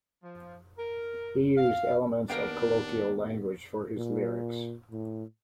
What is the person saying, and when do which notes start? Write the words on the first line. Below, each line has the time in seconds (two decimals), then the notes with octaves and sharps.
He used elements of colloquial language for his lyrics.
0.23 F3
0.77 A#4
1.57 F5
2.30 D#2 B3 D4 A#4 F5 G5
3.97 A#2
4.91 A2